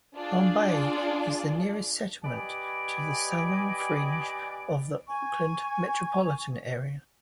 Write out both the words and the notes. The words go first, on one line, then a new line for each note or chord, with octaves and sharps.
Bombay is the nearest settlement to the southern fringe of the Auckland metropolitan area.
D4 F4 G#4 D5
G4 B4 D5 D#5 G#5
G#5 C#6